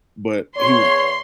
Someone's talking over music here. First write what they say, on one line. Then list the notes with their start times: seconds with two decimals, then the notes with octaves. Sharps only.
but he was
0.57 E2 C#5 C6